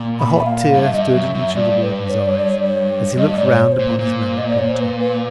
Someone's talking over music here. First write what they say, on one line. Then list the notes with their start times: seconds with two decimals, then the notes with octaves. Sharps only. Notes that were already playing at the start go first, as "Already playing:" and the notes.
A hot tear stood in each of the warden's eyes as he looked round upon his married daughter.
Already playing: A#2
0.20 B5
0.40 E5
0.46 F5
0.74 G2 F5
0.83 E5
0.93 G2 D#5
1.02 E5
1.15 F#2
1.35 F#2
1.55 G2 D5
1.83 B4
2.10 C#5
2.20 D5
2.29 C#5
2.38 D5
2.47 C#5
2.58 D5
2.67 C#5
3.17 G2 D#5
3.29 D#5
3.36 G#2 D5
3.45 C#5
3.72 C5
3.79 A#2
3.99 A#2
4.38 D#5
4.49 D5
4.59 C#5
4.69 C5
4.81 B4
5.00 B4